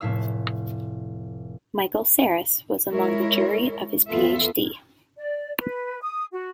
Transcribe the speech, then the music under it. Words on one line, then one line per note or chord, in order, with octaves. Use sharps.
Michel Serres was among the jury of his Ph.D.
F1 A2 E4 F5 E6
G#3 E4 A#4 C#5
E2 B3 F4 A4 E5
D5
B4
D#6
F#4